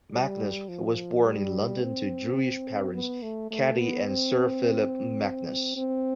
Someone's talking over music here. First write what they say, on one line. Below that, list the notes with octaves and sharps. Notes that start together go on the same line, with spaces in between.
Magnus was born in London to Jewish parents Katie and Sir Philip Magnus.
G3
F3
G3
C4
B3
A3
A3
B3
C4
C4